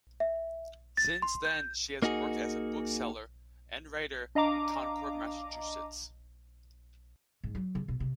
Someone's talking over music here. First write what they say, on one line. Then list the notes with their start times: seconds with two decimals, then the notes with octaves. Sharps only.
Since then she has worked as a bookseller and writer in Concord, Massachusetts.
0.20 E5
0.97 A6
1.22 C6
1.45 G6
2.02 A#3 D#4 F#4 G#4
4.35 D4 D#5 F5 A#5 D6
7.44 G#2
7.55 F#3
7.75 C#3
7.88 B2
8.00 C3